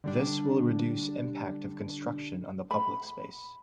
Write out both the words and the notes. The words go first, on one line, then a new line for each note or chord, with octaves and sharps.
This will reduce impact of construction on the public space.
D3 G3 D4
B5